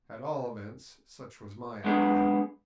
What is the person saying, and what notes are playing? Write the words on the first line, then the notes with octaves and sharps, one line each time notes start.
At all events, such was my idea.
F#3 G#3 B3 D4 G#4